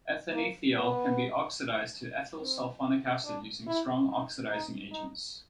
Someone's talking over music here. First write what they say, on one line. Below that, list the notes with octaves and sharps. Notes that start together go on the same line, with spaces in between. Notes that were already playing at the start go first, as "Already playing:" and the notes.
Ethanethiol can be oxidized to ethyl sulfonic acid, using strong oxidizing agents.
A#3
B3
C4
D4
E4
D#4
D#4
D#4